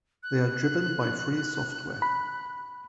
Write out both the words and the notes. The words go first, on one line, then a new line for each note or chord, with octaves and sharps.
They are driven by free software.
F#6
B5